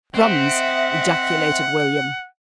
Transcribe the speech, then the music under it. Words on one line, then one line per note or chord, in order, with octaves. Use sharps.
"Crumbs!" ejaculated William.
C4 D#5 E5 F#5